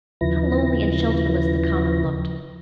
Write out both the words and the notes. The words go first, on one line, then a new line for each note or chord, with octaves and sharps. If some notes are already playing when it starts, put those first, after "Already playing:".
How lonely and shelterless the common looked!
D#2 C#3 F3 E4 B4 A#6